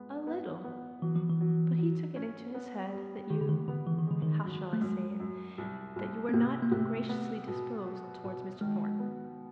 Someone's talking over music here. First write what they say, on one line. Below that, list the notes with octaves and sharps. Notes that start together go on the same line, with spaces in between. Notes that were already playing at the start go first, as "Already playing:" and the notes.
'A little; but he took it into his head that you--how shall I say it?--that you were not ungraciously disposed towards Mr. Thornton.
Already playing: G#3 B3
B3
B3
E3 F#3
F3
E3
F#3
F#3
C#4
B3
G3
D#3 G4
D3
D#3
D3 B3
E3
D#3
D3 G#3
D#3
F#2
A3
F#2 G#3
F#2
C2
C2
B3
C3 A#3
A#3
C3 A3
B3
B2
F#3
B2
D#3 G#3
B3